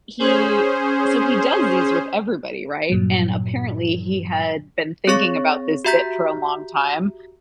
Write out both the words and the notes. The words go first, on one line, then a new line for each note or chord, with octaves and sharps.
he so he does these with everybody, right? And, apparently, he had been thinking about this bit for a long time,
C#4 G#4 C5
G2 A#2 F#3
C4 G#4 C#5 C#6 A6 A#6
F#4 G4 E5 A#5 G6 B6